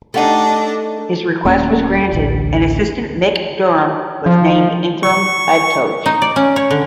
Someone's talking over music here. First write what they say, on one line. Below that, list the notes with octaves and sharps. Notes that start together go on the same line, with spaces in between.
His request was granted and assistant Mick Durham was named interim head coach.
A3 D4 D#4 G4 D#5 F#5
D#1 A#3 C#4
A1 D2
F3
C#6
D#4
D5
C#4
C#5
D3